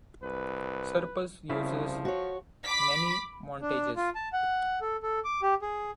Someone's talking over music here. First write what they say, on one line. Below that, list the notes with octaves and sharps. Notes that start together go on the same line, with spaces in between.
Surplus uses many montages.
C2 B4
C2 C#3 F3 E4
F#4 C#5
B5 D6 B6
D4
F4
A5
F#5
A4
A4
D6
G4
G#4